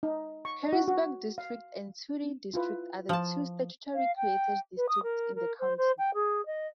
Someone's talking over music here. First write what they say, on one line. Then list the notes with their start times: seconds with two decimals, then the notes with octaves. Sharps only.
Careysburg District and Todee District are the two statutorily created districts in the county.
0.03 D#4
0.45 C#6
0.73 F#4
0.88 F#4
1.38 F5
2.54 E4 F4 B4
3.09 F3 A5
3.95 F5
4.16 G5
4.77 B4
4.88 D#6
5.03 A#4
5.35 A#4
5.59 C5
5.77 C5
5.98 G5
6.14 G#4
6.46 D#5